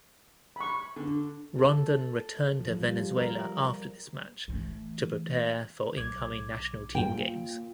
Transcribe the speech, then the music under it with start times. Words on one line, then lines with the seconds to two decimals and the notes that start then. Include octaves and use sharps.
Rondon returned to Venezuela after this match to prepare for incoming national team games.
0.56 B5 C#6
0.96 D3
1.59 A4
2.60 F3
2.74 G3
3.17 A#4
4.48 E3 A3
5.97 B1 D6 G#6
6.95 A#3 F4 G5